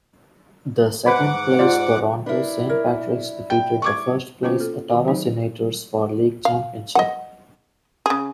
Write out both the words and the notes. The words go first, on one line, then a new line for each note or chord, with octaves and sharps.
The second-place Toronto Saint Patricks defeated the first-place Ottawa Senators for the league championship.
G#2 B4 C5 F#5 B5 D6
F4 C5 D5
D4 E4 A#4 B4
A#4 C#5
G5
C#6 D6 G#6
A#3 C#4 F4 F#4 C5
A4
D#3 F#4
F#3 D#4
F5
D#5 F#5
C#3 G#4